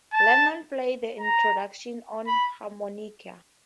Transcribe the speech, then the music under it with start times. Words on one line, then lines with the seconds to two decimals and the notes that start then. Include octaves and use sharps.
Lennon played the introduction on harmonica.
0.13 A5
1.20 A#5
2.27 B5